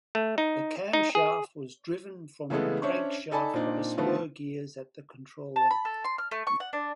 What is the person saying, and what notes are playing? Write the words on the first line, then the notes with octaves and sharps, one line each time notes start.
The camshaft was driven from the crankshaft by spur gears at the control end.
A3
D#4
D#4
G#4
C#3 E3 G#3 A3 B3 A4
C#4 D4 C5 C#5 E5
D#4 A4 D5 G#5 A5 B5
A#2 C4 D4 D#4
D3 D#3 F3 A3 B3
A5
B5
A4
C6
F6
A3
C#6
F#5
D4